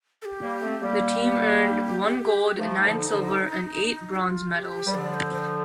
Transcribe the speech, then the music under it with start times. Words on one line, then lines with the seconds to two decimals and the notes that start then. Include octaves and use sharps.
The team earned one gold, nine silver and eight bronze medals.
0.22 A4
0.25 G4
0.42 G3 A#3
0.61 A3 C4
0.81 G3 A#3
2.58 F3 A3 D#4
2.84 D3 F3
3.11 D3 F3
4.15 G4
4.20 F4
4.55 G4
4.87 G3
4.94 D3 F3 D5
5.14 C5
5.34 C5